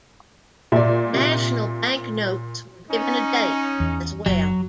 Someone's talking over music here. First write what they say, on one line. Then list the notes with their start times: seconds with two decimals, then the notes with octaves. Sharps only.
National Bank Notes were given a date as well.
0.72 A#2 D5 E5
1.13 C3
2.90 C#4 D#4
3.80 E2
4.26 F#1 F#3